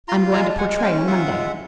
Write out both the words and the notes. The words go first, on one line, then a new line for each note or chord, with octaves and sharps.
"I am going to Portray on Monday."
F4 A#5 C6
G#3 G#5 A#5
A5
G#3 F#5 G#5
G#5
C#4 F5 G5
F4 E5 F#5
G#3